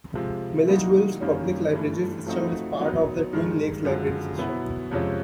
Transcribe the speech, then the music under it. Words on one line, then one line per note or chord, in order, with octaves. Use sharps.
Milledgeville's public library system is part of the Twin Lakes Library System.
C3 F3 G#3
E3 G3 A#3 D#4 F#4
F#2 D#3 G3 A#3 C#4
G2 E3 A3
F3 A3 C4 D#4 F#4
F#3 B3 D#4
G2 D#3 G#3
F#2 D3 F3 G#3
B2 F#3 B3 E4
F2 C3 F3 G#3 C#4